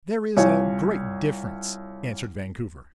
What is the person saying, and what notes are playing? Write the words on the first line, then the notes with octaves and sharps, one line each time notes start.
"There is a great difference," answered Vancouver.
C2 F4 C#5 G#5